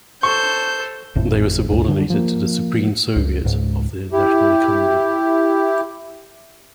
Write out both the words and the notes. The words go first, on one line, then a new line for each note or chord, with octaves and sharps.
They were subordinated to the Supreme Soviet of the National Economy.
A4 C5 C#6 G6
G#1 F2 A2
C#2 G2
D3 G3 B3 D4
F3 A#3
C#2
C#2 G#2
E4 G4